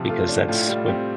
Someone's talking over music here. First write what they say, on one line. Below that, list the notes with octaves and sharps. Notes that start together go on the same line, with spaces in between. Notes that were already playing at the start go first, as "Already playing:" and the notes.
because that's what,
Already playing: C3 F3 G4
A3 F4
D4
A2 F4
G3
C4 G4